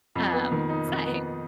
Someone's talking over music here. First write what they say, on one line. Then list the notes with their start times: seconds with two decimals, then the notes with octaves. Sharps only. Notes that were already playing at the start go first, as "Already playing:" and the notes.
um, it's that hair.
0.16 F2
0.33 B3
0.52 D#3
0.69 D#4
0.88 F2
1.06 B3